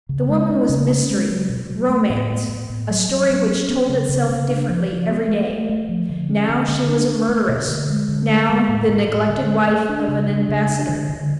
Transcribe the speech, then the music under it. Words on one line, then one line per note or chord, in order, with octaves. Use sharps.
The woman was mystery, romance, a story which told itself differently every day; now she was a murderess, now the neglected wife of an ambassador.
C#3
G#3
C#4
C#3
C#4
G#3
F#3
B2
F#3
A3
A2
B3
A2
A2
F#3
F#3
F#3
C#4
B3
C#3
C#3
C#3
D4
F3
F3
B3
A3
A3
A3
F3
D3
C#4
D3
D3
D4
D4
A3
B2
D3
G#3
D3
G#3
G#3
A2
A2
A2
D3
A3
A3
D4
C#3
D4
C#3
D4
D3
D3